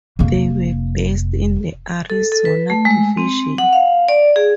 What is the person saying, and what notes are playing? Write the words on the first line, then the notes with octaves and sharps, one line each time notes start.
They were based in the Arizona Division.
F1 A#3
A4
A4
B4
A3
G#3
C4
F#5
F5
D5
G#4